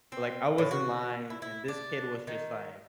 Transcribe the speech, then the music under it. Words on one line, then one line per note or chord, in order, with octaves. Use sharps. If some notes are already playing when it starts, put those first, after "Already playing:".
like, I was in line, and this kid was just, like,
C4
A2
F#4
E4
E4
D4
D#3